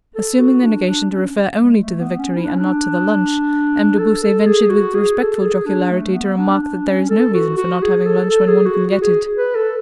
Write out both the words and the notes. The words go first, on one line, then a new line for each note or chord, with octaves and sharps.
Assuming the negation to refer only to the victory and not to the lunch, M. de Beausset ventured with respectful jocularity to remark that there is no reason for not having lunch when one can get it.
A4
F#4
D4
D4
C#4
G#3
A3
B3
C#4
E4
D4
C#4
D4
A4
A4
G#4
F#4
G#4
A4
G#4
D4
A3
B3
D4
D4
C#4
A4
F#4
F#4
G#4
A4
A4
G#4
F#4
F#4
G#4
B4
A4